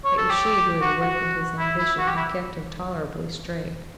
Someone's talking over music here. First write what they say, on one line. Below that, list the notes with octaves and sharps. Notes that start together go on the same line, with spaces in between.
It was she who had awakened his ambition and kept him tolerably straight.
C#5
A4
G4
F#4
F#4
E4
E4
F#4
G4
E4